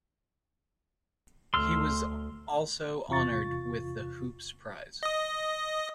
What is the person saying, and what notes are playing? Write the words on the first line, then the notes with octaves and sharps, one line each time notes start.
He was also honoured with the Hoopes prize.
D2 C6 E6 F6
E2 C3 F4 C#6 A6
D#5 D#6